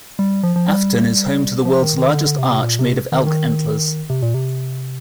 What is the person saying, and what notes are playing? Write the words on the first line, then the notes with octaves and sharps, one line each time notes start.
Afton is home to the world's largest arch made of elk antlers.
G3
F3
F3
G3
F3
D#3
D#3
D3
D3
C3
C3
A#2
C3
D#3
D3
D#3
C3
A#2
C3